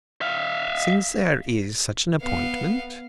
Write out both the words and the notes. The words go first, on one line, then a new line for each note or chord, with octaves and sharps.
"Since there is such an appointment."
E5 F5
B3 F5